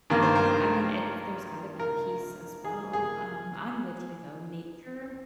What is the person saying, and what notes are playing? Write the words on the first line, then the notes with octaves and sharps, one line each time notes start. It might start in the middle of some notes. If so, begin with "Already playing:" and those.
Yeah, I mean, it's there's gotta be peace, as well. Um, I'm with you, though, nature,
G2 D#3 A#3 A#4
C5
A#4
A#4
G#4
G#4